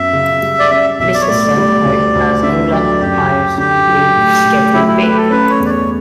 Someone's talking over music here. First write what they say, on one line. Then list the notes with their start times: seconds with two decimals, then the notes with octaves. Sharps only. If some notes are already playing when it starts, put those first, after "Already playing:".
It is the same height as England's highest peak, Scafell Pike.
Already playing: F#2 B3 E5
0.13 C#3
0.42 G3
0.59 D5
0.70 C#4 E5
0.99 B1 E5
1.14 D5
1.21 C#5
1.28 A2 D5
1.57 G3
1.85 D2
2.15 D2
2.43 D3 E5
2.71 F#3 D5
3.00 F#2 G4
3.30 F#2
3.58 D3 G4
3.87 F#3
4.16 A2
4.45 A2
4.74 F#3 E4
4.88 E4
5.02 A3 B4
5.10 G4
5.17 A4
5.30 C#4 B4
5.50 C#5
5.60 E2
5.65 D5
5.70 C#5